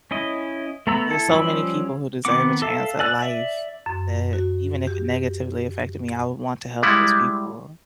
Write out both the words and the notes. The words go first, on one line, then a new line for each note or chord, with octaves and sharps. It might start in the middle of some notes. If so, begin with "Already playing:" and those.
there's so many people who deserve a chance at life that even if it negatively affected me, I would want to help those people.
C#4 E4 D#5
A3 B3 A#5 B5 E6
E4 A4
F3 G3 C#4 B5 E6
D#3 B3 C4 F#5 D6
A4 E5 F5
D5 G#5 E6 F#6
D5 E5
F#2
F#4
G4
G3 G#3 E4 F#5